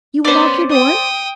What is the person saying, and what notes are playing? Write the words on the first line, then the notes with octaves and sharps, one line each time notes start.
You will lock your door?'
B3 C#4 C5 D5
G5 D#6